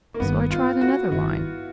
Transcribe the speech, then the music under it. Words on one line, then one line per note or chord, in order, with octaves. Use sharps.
So I tried another line.
A#3
G1 G2 D#3 B3
F4
F#4
G1 G2 D#3 E4